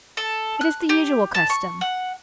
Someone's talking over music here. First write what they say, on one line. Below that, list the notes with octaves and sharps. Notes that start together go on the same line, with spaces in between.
'It is the usual custom.'
A4
F#6
G4
A5
C#6
F#5